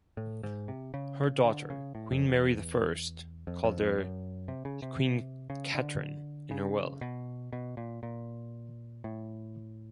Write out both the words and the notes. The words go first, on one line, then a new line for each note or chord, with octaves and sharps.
Her daughter Queen Mary the First called her "Quene Kateryn", in her will.
A2
G#2
C3
C#3
D3
C#3
A2
F2
E2
F2
F2
F2
F#2
C3
C#3
C3
C#3
D3
C#3
B2
B2
A#2
A#2
A2